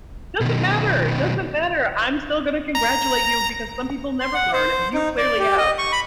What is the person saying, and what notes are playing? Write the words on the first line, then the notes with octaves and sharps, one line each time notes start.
Doesn't matter, it doesn't matter. I'm still gonna congratulate you because some people never learn and you clearly have.
B2 D#3
A#5
C6
F#5
C5
D#4
D5
G4
D#5
C#6
B5